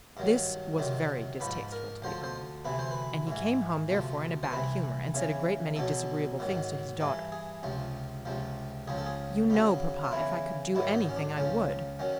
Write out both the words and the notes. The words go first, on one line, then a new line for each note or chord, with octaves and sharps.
This was very distasteful to the Earl, and he came home therefore in a bad humour, and said a great many disagreeable things to his daughter. "You know, papa, if I could do anything I would."
G2 D#3 F#3
F2 C3 D#3 F#3
G#2 F3 B4
A#4
D2 D3 F3 C5
C5
D2 C3 E3 B4
C5
B4
G#2 E3
D2 C3 F3
C5
C2 C3 E3 B4
E2 C#3 E3
E2 B2 F#3 A4
G#2 D#3 F#3
G2 E3 A4
G#4
C#2 C3 F3
C#2 C3 F3
C#2 C#3 F3 G#4
A4
G#4
E2 C#3 F#3 D#4
F4
E2 C#3 E3 E4
G#2 D#3 F#3 E4
D#4
C#4
D4
C#2 C#3 F3 C#4
D#3 F#3 C#4